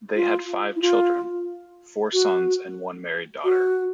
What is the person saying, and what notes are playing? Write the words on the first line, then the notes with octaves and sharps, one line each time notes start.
They had five children: four sons and one married daughter.
F4
E4
F4
F#4
F#4